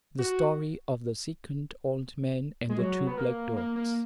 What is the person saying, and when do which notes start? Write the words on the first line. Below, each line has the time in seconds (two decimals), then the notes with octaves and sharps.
The Story of the Second old Man and the Two Black Dogs.
0.19 F#4
2.69 G#3
2.79 F#3
3.07 B3
3.17 A#3
3.56 A#3
3.76 A#3